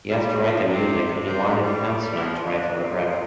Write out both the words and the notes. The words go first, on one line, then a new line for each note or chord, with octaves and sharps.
He was to write the music and he wanted Hansemann to write the libretto.
G3
G3
F3
C3
C3
G3
G3
E3
F3
D3
C3
A#2
C3